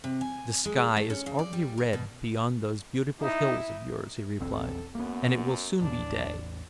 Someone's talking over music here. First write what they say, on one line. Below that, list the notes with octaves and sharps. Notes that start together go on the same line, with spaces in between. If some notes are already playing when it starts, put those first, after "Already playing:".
"The sky is already red beyond those beautiful hills of yours," he replied, "and it will soon be day."
C3
G#5
G#3
A3
C#4
C#3
D5
G3
A#4
B2
D#4 E4
B1 E2 C4 A4
F#2 A#3 B3
A1 E2 D4